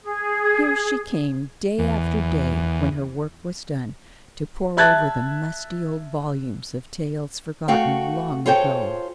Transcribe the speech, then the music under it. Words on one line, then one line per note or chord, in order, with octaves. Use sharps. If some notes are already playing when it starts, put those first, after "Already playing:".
Here she came day after day, when her work was done, to pore over the musty old volumes of tales forgotten long ago.
G#4
E2
E5 A5 F#6 G#6 A6
A3 F#4 F5 G5
F4 G#4 A4 C5 C#5 G5